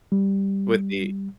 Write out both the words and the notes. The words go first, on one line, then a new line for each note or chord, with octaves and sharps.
With the
G3